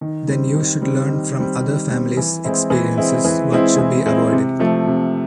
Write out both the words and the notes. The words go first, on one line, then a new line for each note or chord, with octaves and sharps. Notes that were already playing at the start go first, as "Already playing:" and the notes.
Then you should learn from other families experiences what should be avoided...
D#3
G3 C4
D#3
G3 C4
D#3
G3 C4
D#3
G3 C4
E3
G#3 C4 E4
E3
G#3 C4 E4
E3
G#3 C4 E4
E3
G#3 C4 E4
C3
F3 A3
C3